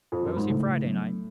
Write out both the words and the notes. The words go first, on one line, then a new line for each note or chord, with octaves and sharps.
Where was he Friday night?
F2
F#2
G#2
A2 C#3
F#3 B3 D4